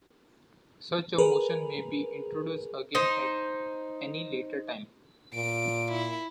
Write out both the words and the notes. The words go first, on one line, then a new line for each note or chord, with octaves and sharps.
Such a motion may be introduced again at any later time.
G#4 A#4 B4
D#4 C5
A#2 D7
E4